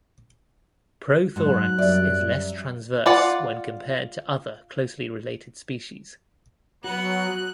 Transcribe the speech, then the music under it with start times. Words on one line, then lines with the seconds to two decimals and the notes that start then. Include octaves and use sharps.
Prothorax is less transverse when compared to other closely related species.
1.36 G#2 F#3 F#6
1.78 F#2 G3 D5 E5
3.06 F4 D5 F#5
6.84 F#3 B3 F#4 F#6